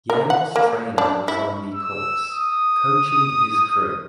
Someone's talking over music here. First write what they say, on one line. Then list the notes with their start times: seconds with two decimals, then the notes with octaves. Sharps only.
Yale's trainer was on the course, coaching his crew.
0.10 A#4
0.30 F#5
0.56 A#3
0.98 D4
1.28 E4
1.74 E6
2.33 D#6